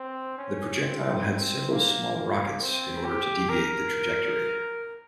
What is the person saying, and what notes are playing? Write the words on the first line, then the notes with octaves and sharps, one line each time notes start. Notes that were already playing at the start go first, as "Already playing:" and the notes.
The projectile had several small rockets in order to deviate the trajectory.
Already playing: C4
C#4
C4
A#3
A#3
C4
G4
A#4